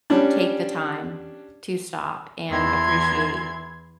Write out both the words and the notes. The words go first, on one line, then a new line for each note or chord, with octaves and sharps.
take the time to stop and appreciate
G3 C#4 D4
E2 E3 C6 G#6